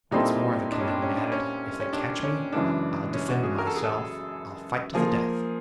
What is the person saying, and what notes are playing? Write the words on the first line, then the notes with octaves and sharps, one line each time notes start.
"What's more," the Canadian added, "if they catch me, I'll defend myself, I'll fight to the death."
A#2 G3 C4 D#4 E4 A4
D4
C#4
D4
C#4
D4
C#4
C#4
D4
C#4
F#2 C#3 E3 G#3 D4
C#4
F#4
G#4
A#4
A4
G#4
A4
F3 A#3 G#4